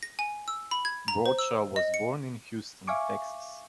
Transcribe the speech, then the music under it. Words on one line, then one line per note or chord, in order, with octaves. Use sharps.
Bradshaw was born in Houston, Texas.
A#6
G#5
E6
B5
G#6
A#5
C5
E6
D#5
C#7
E5 F5 G#5 C#6 D6